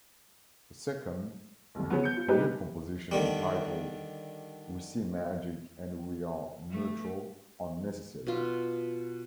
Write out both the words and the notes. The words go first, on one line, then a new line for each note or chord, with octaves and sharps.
The second, a new composition entitled "We See Magic and We Are Neutral, Unnecessary".
C2 F2
C#3 F3 B3
G6 C#7
F4
G3 D#4 G4 G#4 B4
D3 D#3 G3
A3
B2 F4